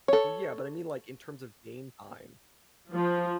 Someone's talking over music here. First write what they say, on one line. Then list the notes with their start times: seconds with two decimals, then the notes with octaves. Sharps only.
Well yeah, but I mean, like, in terms of game time,
0.08 A4 C#5
2.92 F3